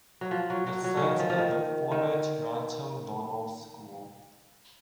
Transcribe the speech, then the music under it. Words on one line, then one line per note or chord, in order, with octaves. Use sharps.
The site of the former Toronto Normal School.
F#3
F3
F#3
F#3
F#3
C#3
D#3
F3
F3
D#3
D#3